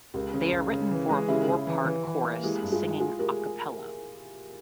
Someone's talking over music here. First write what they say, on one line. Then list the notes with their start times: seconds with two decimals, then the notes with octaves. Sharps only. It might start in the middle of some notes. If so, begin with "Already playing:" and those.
They are written for a four-part chorus singing "a cappella".
0.14 C#2 G4 A#4
0.34 C#3
0.52 C#2
0.71 C#3
0.91 E3
1.09 G#3
1.28 C#3 E4 G4
1.48 C#3
1.67 E3
1.85 E3
2.05 E3
2.24 A#3
2.43 G#3 E4 G4
2.62 G2
2.72 F4 G#4
2.81 G#3
3.00 G#3 F4 G#4
3.19 G#3 G4 A#4